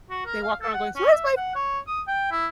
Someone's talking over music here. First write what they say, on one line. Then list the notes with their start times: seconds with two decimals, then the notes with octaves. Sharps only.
they walk around going, "So where's my
0.10 F#4
0.26 A#4
0.43 F5
0.62 A4
0.74 F#5
0.96 C#4
1.12 E5
1.37 F#5
1.56 C#5
1.87 D#6
2.07 G5
2.31 E4